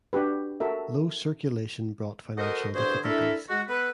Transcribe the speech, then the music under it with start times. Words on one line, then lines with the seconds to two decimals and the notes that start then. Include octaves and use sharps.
Low circulation brought financial difficulties.
0.13 D4 F#4 G4 B4
0.60 F#4 A4 A#4 E5
2.37 F#4 A4 A#4 C5 D#5
2.74 E2 G2 D3 F#4 G#4 C5
3.04 A3 D4 E4 A4 A#4 E5
3.49 G#3 F#4
3.69 B3 A4 B4